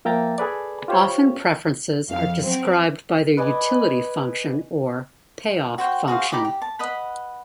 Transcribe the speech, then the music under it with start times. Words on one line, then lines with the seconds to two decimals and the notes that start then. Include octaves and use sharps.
Often preferences are described by their utility function or "payoff function".
0.05 F3 A#3 E5 G5 A#5 A6
0.38 G#4 A4 B4 D5
0.88 F4 G4 C5 C#5
2.10 F2 F5
2.42 F#3 C4
3.37 B4 D5 D#5 G#5
5.78 F#4 C5 G5
6.08 F#4 G#4 C5 F5
6.32 D#4 G4 B5 D6
6.45 G4
6.62 A5
6.79 B4 D#5 F#5 B5